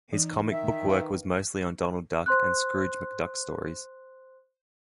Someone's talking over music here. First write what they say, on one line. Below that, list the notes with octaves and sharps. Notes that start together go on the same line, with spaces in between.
His comic book work was mostly on Donald Duck and Scrooge McDuck stories.
E3 D#4
D#3 E5
B4 F5
C5 C6 F#6